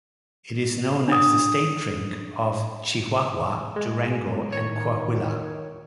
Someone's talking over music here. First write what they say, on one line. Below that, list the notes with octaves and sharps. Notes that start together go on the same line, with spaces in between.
It is known as the state drink of Chihuahua, Durango and Coahuila.
D4 D#6
G#3
D#3 C#5